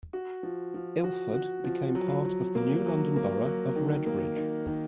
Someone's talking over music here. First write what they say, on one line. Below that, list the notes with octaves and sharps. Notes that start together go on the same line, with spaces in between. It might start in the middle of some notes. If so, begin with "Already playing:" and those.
Ilford became part of the new London Borough of Redbridge.
F#4
F3
F3
F#4
F#4
F3
F#3
F#3
A#3
F#3
A#3
F#3
D#3
A#3
D#3
D#3